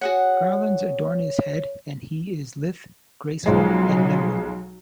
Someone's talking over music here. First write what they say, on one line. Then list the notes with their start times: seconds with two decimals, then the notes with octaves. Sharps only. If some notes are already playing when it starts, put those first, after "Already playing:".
Garlands adorn his head, and he is lithe, graceful, and nimble.
0.01 F#4 G#4 C#5 F#5
3.46 B1 F3 F#3 G#3